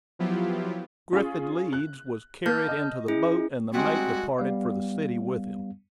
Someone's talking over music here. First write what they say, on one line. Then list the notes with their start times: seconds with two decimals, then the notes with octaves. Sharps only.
Griffin Leeds was carried into the boat, and the mate departed for the city with him.
0.19 F3 F#3 B3 E4 F4 G4
1.13 C#4 F4 G#4
1.73 F#6
2.46 A#3 A5 F6 G6
2.68 D#5
3.08 C#4 E4 G#4
3.73 G3 G#3 C4 F#4
4.38 G3 B3 F5